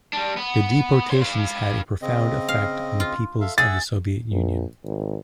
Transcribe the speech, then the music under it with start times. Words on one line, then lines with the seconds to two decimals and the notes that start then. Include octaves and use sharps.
The deportations had a profound effect on the peoples of the Soviet Union.
0.13 G3 D4
0.37 B3
1.10 C#5 C6
1.21 B4 F5
2.02 C#3 C4 D#5
2.48 F5
3.00 F4
3.41 A4 E5 F5
3.58 G#4 E5 F#5 E6 A6
4.31 A#1
4.84 G#1